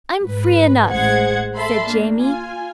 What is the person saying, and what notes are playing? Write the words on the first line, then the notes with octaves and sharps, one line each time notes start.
"I'm free enough," said Jamie.
G#2 B4
A1 G#3 C5 F#5 G#6
A4 E5 A5 B5 C6
A#3 D4
F4 G#5